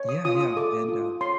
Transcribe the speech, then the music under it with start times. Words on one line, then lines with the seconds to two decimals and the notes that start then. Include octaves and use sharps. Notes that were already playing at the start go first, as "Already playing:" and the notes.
Yeah, yeah, and, uh
Already playing: C#5
0.09 D#6
0.25 F4 D#6
0.41 D#6
0.57 A4 D6
0.89 F4
1.21 C#5 C6